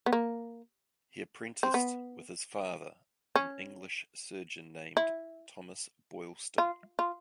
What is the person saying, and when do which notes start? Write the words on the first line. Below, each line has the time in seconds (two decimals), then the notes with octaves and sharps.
He apprenticed with his father, an English surgeon named Thomas Boylston.
0.06 B3
0.12 A#3
1.63 C4
1.74 B3
3.36 C#4
4.97 E4
6.58 F4
6.99 F4